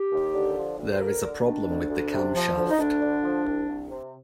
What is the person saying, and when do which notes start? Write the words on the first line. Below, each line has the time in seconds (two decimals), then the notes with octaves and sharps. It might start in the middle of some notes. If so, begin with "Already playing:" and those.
There is a problem with the camshaft.
Already playing: G4
0.12 D#2
0.34 D3
0.56 F3
0.78 D2
0.91 C5
1.00 D2 A#4
1.23 D3
1.45 D#3 D4
1.67 D2
1.89 D2
2.12 C3
2.34 F3
2.56 D2
2.70 D#4
2.78 D2 D4
3.01 D3
3.23 F3
3.45 C2
3.67 C2
3.89 C3